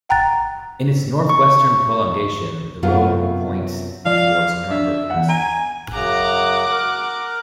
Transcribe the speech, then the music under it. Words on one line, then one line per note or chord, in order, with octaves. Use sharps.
In its northwestern prolongation the road points towards Nuremberg Castle.
F#5 G5 A#5 F#6 A6
C#6
F#2 C3 F#3 B3 F4 F5
F3 D5 F5
D4 E5
E2 F#5
G#5 A#5
F#2 C#3 F#5 A#5 D6
A#4